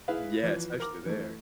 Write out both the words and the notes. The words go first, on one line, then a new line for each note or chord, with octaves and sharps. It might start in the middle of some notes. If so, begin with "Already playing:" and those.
Yeah, especially there.
E4 G#4 B4 F5
E3 F3
A#4 D6
E3 A3